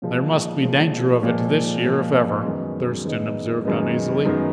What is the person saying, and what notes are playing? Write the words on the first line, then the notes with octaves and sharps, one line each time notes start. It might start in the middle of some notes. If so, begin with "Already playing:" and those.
"There must be danger of it this year if ever," Thurston observed uneasily.
A#2 F3 G#3
A#2 F3 G#3
A#2 F3 G#3
A#2 F3 G#3
F#2 D#3 G#3 B3 D#4
F#2 D#3 G#3 B3 D#4
F#2 D#3 G#3 B3 D#4
F#2 D#3 G#3 B3 D#4